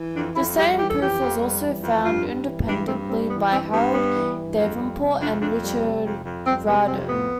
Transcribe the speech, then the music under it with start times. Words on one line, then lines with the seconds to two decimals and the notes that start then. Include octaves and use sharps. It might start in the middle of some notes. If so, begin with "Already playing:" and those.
The same proof was also found independently by Harold Davenport and Richard Rado.
Already playing: E3
0.14 F2 D4
0.35 F2 E4
0.56 G3 G4
0.77 E3 G4
0.89 A4
0.98 F2 G4
1.19 F2
1.40 G3
1.61 E3
1.82 F2
2.03 G2 F4
2.24 G3
2.45 E3
2.66 G2 D4
2.87 G2 C4
3.08 G3 C4
3.29 E3 B3
3.51 G2 C4
3.72 G2 B3
3.93 G3 B3
4.14 E3
4.35 G2
4.56 F2
4.77 G3
4.99 C3
5.19 F2 D4
5.40 F2 D4
5.62 G3
5.83 C3
6.04 F2
6.24 F2
6.45 G3 C4
6.66 C3 B3
6.88 F2 C4
7.08 A2 B3